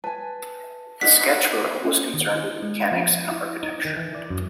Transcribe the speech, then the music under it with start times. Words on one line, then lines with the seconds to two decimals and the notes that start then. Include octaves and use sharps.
The sketchbook was concerned with mechanics and architecture.
0.04 B4 G#5 A5
1.01 D4 D#4 F#5 B6
1.85 C#4
2.14 D#3
2.36 E4
2.62 G#3
2.92 F3
3.31 E4
3.63 D#4
3.85 D#3
3.97 E3
4.15 D5
4.30 F#2